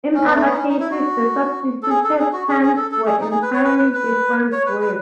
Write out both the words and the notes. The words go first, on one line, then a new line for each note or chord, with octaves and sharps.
In other cases the substituted terms were entirely different words.
C#4
B3
A3
B3
D#4
C#4
D#4
E4
F#4
A4
G#4
A4
G#4
F#4
G#4
G#4
A4
A4
G#4
D#4
G#4
B4
C#5
B4
B4
B4
C#5
B4
B4